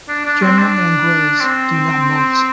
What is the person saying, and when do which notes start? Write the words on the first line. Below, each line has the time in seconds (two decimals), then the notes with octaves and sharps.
German Angoras do not moult.
0.09 D4
0.25 D4
0.42 C4
0.58 D4
1.40 C4